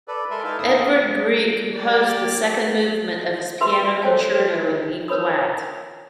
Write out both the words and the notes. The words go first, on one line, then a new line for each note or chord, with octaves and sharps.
Edvard Grieg composed the second movement of his Piano Concerto in D-flat.
A4 B4 D5
G#3 A4 A#4 E5 C6
D#4 E4 A4 B4 F5
F2 C#3 A#3 D#4 D#6 E6
G4 D5
F#4 B4 E5 B5 C6 E6
A4 C5 C#5 G5 A5
A#4 B4 C#5 B5 D#6